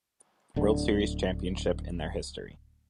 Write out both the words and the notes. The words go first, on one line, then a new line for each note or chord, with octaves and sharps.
World Series championship in their history.
D1 D3